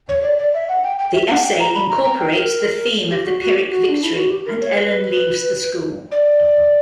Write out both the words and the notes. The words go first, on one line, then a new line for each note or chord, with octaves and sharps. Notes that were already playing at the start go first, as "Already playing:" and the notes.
The essay incorporates the theme of the Pyrrhic victory and Ellen leaves the school.
C#5
D5
D5
E5
F#5
G5
G5
E5
F#5
G5
A#5
B5
A#5
A#5
G5
A#4
G4
F#4
F#4
G4
F#4
D4
E4
F#4
G4
A#4
C#5
B4
D5